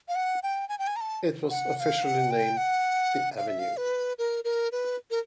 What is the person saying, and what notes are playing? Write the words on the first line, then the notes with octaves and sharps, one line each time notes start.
It was officially named The Avenue.
F5
F#5
G5
G#5
G5
G#5
A#5
A5
F#5
F#5
F5
F#5
G5
F#5
F5
E5
F5
B4
A#4
A#4
B4
A#4